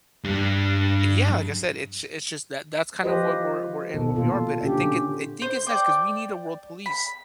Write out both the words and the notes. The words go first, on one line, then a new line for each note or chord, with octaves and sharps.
and yeah, like I said, it's it's just that that's kind of what we're we're in, where we are. But I think it I think it's nice 'cause we need a world police.
G2 G3
F3 F4 G4 B4 C5 D#5
B2 D#3 A4
A#2 F4 A4
D3 C#4 G4
C5
D5 G5 D6
B5